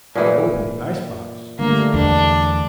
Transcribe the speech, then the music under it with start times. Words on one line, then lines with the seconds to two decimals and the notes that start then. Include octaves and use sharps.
How to open the ice-box was a problem.
0.15 A#2 E3
1.59 D3 G3 A3 A#3
1.94 E2 D4